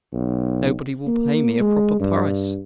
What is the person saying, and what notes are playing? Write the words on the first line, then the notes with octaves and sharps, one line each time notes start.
"Nobody will pay me a proper price."
B1
A#3
G#3
G2